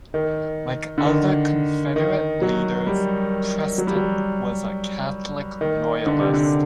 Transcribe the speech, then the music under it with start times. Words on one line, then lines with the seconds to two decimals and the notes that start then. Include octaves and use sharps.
Like other Confederate leaders, Preston was a Catholic Royalist.
0.14 D#3
0.98 D3
1.05 D#3
1.96 D#3
2.42 F#3
2.87 G3
3.78 F#3
3.87 G3
3.96 F#3
5.61 D#3
6.06 D3
6.20 C3
6.34 D3